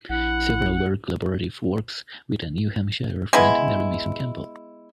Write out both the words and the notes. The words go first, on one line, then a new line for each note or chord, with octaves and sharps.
Several were collaborative works with a New Hampshire friend Mary Mason Campbell.
A#1 E4 F#5
G#3 B3 E4